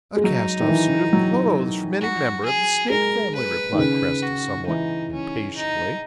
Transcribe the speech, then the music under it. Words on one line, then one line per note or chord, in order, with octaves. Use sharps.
"A cast-off suit of clothes from any member of the Snake family," replied Cresty somewhat impatiently.
G#3
F#3 D#4
D#3
E3
F#3
F#4
G#4
G#3 A#4
B4
D#3
C#3 B4
F#4
E3 D#4
C#4
D#4